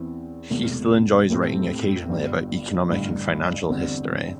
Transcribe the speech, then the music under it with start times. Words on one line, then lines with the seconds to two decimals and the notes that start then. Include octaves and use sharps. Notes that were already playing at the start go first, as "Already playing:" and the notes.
He still enjoys writing occasionally about economic and financial history.
Already playing: E2 E3 C4
0.50 E1 E2 C3 A3
1.30 A2 A3 C4 G4
2.10 G1 G2 G3
2.90 A1 G2 D3
3.69 E2 D3 G3 C4